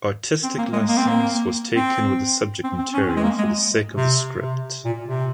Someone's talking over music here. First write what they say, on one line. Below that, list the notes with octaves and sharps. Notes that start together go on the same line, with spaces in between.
Artistic license was taken with the subject material for the sake of the script.
C4
A#3
G#3
A#3
C4
A#3
C4
C4
C4
C#4
C4
G#3
A#3
G#3
C3
C3
A#2
C3